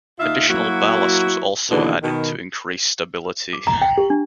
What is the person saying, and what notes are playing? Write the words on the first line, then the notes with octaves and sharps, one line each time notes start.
Additional ballast was also added to increase stability.
D#2 D#4 F4 E5 F5
F#3 A#3 E4 F#4
D#2 B2 D3 E3
B2 D#3
D6
A#5
G5
G4
D4